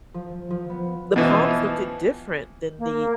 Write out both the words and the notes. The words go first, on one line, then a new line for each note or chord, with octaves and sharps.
the palms looked it different than the
F3
F3
B3
B2 E3 F3
A#3